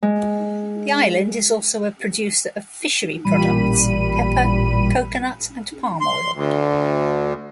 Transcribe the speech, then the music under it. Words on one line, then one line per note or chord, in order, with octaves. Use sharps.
The island is also a producer of fishery products, pepper, coconut, and palm oil.
G#3
A1 A#2 G3 B5 D#7
C6
D2